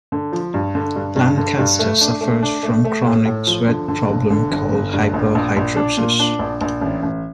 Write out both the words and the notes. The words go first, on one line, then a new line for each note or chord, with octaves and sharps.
Lancaster suffers from chronic sweat problem called hyperhidrosis.
D3
F3
G2
D3
G2
G2
D3
G2
A3
D4
A3
D4
A3
A3
A2
A2
F3
D3
D3
G1
D3
G1
G1
G2
A#1
A#1
A#1
D4
A#2
D4
A#1
A#1
A1
A1